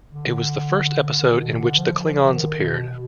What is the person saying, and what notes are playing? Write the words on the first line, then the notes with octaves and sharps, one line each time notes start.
It was the first episode in which the Klingons appeared.
D3
D#3
B2
D3
F3
F3
D3
D#3
B2
B2